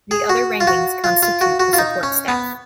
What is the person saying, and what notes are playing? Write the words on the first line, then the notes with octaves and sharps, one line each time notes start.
The other rankings constitute the support staff.
G#4
F#4
F4
F#4
F4
F4
F#4
F#4
F4
D#4
C#4
B3